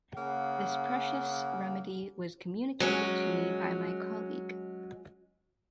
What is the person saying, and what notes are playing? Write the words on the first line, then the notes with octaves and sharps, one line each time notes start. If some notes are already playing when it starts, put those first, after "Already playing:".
This precious remedy was communicated to me by my colleague.
C#3 A#3 F#5
F#3 G#3 C#4